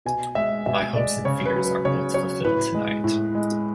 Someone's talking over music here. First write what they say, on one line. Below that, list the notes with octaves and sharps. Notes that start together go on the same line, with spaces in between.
My hopes and fears are both fulfilled tonight.
B2 G#5
G#3 E5
B2 E5
G#3 D5
C#3 C#5
B4
F#3
B4
C#3 C#5
F#3 C#5
A2 B4
G#3
A2
G#3